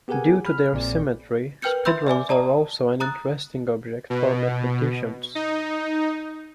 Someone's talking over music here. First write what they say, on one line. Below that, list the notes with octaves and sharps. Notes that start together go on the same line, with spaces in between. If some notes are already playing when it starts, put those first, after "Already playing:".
Due to their symmetry Spidrons are also an interesting object for mathematicians.
B3 G4 G#4 A#4 F#5 G#5
B5 F6
A#1 A#2 C4 D5
A#4 B4 G5 F6 G6 C#7
E5 B5 C6 E6 G6
D5 E5 G#5 D6
D5 A5 A#5 D#6
A#5 D#6 F#6 A6
B2
D#4